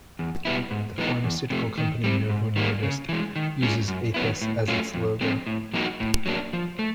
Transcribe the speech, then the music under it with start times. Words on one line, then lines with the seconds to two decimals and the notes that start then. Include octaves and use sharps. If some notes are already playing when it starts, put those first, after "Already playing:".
The pharmaceutical company Novo Nordisk uses Apis as its logo.
0.19 E2
0.45 B2 G3 B3 E4
0.71 G#2
0.98 E3 G#3 B3 D#4
1.24 E2
1.50 C3 F3 A3
1.78 D#3
2.04 G3 C4
2.30 G#2
2.56 D#3 G3 A#3
2.83 C#3
3.09 E3 G#3
3.36 D#3
3.62 G#3 C#4 F4 G#4
3.88 F#2
4.14 D#3 F#3 B3 E4
4.42 A2
4.68 F#3 A3 C#4 F4
4.94 F2
5.21 D3 F3 G#3 C4
5.47 A2
5.73 F3 A#3 D#4 F#4
6.00 A2
6.26 F#3 A#3 D4
6.53 F3
6.79 A3